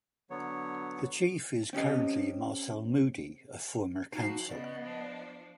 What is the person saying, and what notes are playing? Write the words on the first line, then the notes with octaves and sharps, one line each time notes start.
The Chief is currently Marcel Moody, a former Councillor.
D3 F#3 B3 C#5
C4 C#4 G4 D#5
F3 D#4 F#4
C#3 B3 D5 D#5
F3 D4